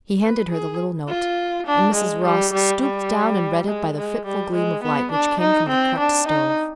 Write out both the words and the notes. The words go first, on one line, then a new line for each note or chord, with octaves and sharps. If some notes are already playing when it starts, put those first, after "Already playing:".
He handed her the little note, and Mrs. Ross stooped down and read it by the fitful gleam of light which came from the cracked stove.
B4
G#4
F4
D4
G#3
G3
G3
G3
G#3
G#3
G3
G#3
B3
D4
D#4
C4
D4
D#4